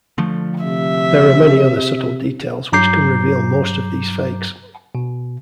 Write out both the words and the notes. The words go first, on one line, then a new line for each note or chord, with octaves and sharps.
There are many other subtle details which can reveal most of these fakes.
D3 F3 A3
C3 E5
G2 F#3 A#5 D6 G6 C7
B2